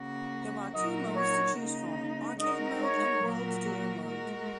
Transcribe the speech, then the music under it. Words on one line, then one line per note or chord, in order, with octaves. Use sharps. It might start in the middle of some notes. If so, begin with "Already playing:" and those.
There are two modes to choose from: Arcade Mode and World Tour mode.
Already playing: C#3 A#3 F#4
A#2 F#3 D#4 F#4 A#4 D#5
C#5
C#3 A#3 D#4
G#3 D#4 F#4 A#4 D#5
C#5
A#2 F#3 A#3 F#4 A#4
G#3 F#4 A#4